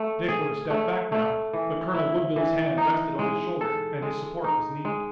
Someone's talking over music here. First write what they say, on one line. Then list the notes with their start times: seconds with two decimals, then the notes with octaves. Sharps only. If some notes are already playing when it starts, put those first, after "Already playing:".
Dick would have stepped back now, but Colonel Woodville's hand rested on his shoulder and his support was needed.
Already playing: A3
0.28 G#4
0.70 A3
1.12 A3
1.53 E3
1.95 E4
2.36 E3
2.78 D#4
3.19 G#3
3.61 A4
4.02 G#3
4.44 D#4
4.85 G#3